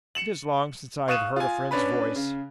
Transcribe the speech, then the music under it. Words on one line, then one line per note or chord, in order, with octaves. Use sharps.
'It is long since I have heard a friend's voice.
C#7 E7 F#7
F5 C#6 D#6 F#6 D#7 E7
F4 G#5
C#4 D4 B4 B5
C#3